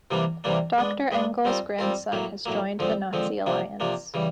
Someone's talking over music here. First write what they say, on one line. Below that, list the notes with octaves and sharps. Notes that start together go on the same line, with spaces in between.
Doctor Engel's grandson has joined the Nazi Alliance.
C3 E3 G3 A#3 D4
C3 E3 G3 A#3 D4
G#3 B3 D4
G#3 B3 D4
G3 C4 F4 A#4
G3 C4 F4 A#4
A2 F#3 A#3
A2 F#3 A#3
D3 F3 G#3 C4
D3 F3 G#3 C4
C3 F3 A#3 D4
C3 F3 A#3 D4
C#3 E3 G3